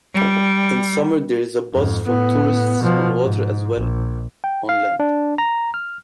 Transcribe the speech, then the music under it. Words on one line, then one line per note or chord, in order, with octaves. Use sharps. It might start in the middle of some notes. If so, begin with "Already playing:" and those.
In summer there is a buzz from tourists on water as well on land.
G3
F2 G#2
A2 B3
B2 F3
G#2
A#1
G5
F5
D4
A#5
F6